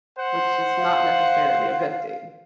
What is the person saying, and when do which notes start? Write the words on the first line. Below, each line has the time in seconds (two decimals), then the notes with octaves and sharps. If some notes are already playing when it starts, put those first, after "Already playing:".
which is not necessarily a good thing.
0.18 C5 F#5
0.78 F5